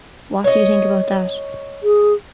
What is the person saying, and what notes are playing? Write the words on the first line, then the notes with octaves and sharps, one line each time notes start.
What do you think about that?
C#5 D#5
G#4